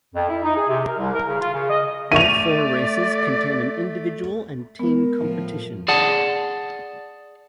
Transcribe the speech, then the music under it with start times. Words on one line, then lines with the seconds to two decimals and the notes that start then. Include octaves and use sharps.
All four races contain an individual and team competition.
0.15 F2
0.29 E4
0.43 D#4
0.56 G#4
0.68 C3
0.85 A#4
0.98 C2
1.13 A#4
1.26 C#3
1.40 F4
1.53 C#3
1.70 D#5
2.12 A3 D5 E5 C#6 D#7 F7
4.79 G#3 B3 A#4
5.16 A2 F3
5.88 G#4 D5 F#5 A5